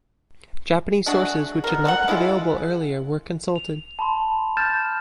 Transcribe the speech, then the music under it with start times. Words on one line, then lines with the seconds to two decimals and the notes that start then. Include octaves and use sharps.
Japanese sources which had not been available earlier were consulted.
1.06 G#3 A3 D4 F#4
1.64 B2 A#4
1.85 A3 A4 F#5
2.08 G#3 E4 F4 A4
3.56 F7
3.99 A5 B5 C6
4.57 F6 G6 A6 E7